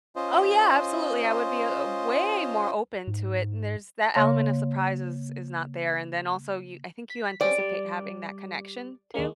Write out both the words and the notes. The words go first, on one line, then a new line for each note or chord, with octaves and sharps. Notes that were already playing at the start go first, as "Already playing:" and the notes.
Oh, yeah, absolutely, I would be a a way more open to it, there's that element of surprise is is not there, and then also, yo I think you anticipate having that connection, too,
C#4 F4 C5 D#5
G#2
C#3 A#3 C#5 F5 C6 A#6
B6
C4 C#4 G4 D5
G3
D#2 G#3 A#3